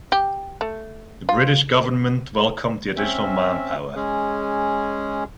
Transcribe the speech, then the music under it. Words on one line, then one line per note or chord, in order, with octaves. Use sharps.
The British government welcomed the additional manpower.
G4
A3
F4
C4 C#4 E5
G#3 C#4 G#4